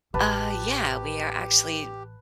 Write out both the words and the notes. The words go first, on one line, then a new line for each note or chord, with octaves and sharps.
Uh, yeah, we are actually
A1 G4 B4 A5